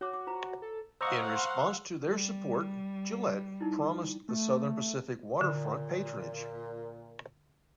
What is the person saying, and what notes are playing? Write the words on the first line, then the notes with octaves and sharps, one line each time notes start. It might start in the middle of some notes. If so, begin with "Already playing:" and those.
In response to their support, Gillett promised the Southern Pacific waterfront patrongage.
F#4 C#5 D6
D6
F4 C5 A#5
A4
C5 D#5 F5 F#5 A#5 C#6 E6
C6
G3
D#4 E4
A3
A#2 D3